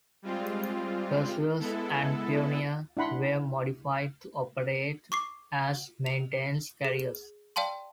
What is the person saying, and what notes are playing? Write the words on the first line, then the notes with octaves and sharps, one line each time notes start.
"Perseus" and "Pioneer" were modified to operate as maintenance carriers.
G3 G#3 C4 F4
G#3 B3 E4 A4
D4 E4 F#5 B5 C6
C#6 D6 C7
F7
G#4
D5 F5 G5 A5 C6